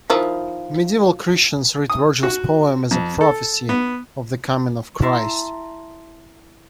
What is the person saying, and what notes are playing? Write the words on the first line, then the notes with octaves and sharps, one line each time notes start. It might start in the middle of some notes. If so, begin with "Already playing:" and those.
Medieval Christians read Virgil's poem as a prophecy of the coming of Christ.
D#3 F3 E4
D#6
F#4
F2
A4
B3
E4 E5 A5 A#5 C6